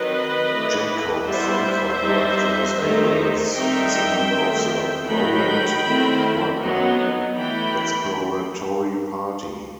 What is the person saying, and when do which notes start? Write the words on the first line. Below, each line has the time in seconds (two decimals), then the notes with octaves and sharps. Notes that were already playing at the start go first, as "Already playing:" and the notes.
Jacob Frankfort arrived in Los Angeles as a member of the Rowland-Workman exploratory party.
Already playing: D#3 F#3 C4 B4 D#5
0.51 E3 A3 E4
1.26 G3 B3 E4 C5 E5
2.03 G3 D#4
2.79 D#3 A3 D#4
3.55 D#3 G3 C4 D#4 E5 G5
4.31 D#3 A3 C4
5.07 D#3 F#3 A3 D#4 G5 B5
5.84 D#3 A3 C4 E4
6.60 F#3 B3 D#4
7.35 E3 A3 E4 G5 B5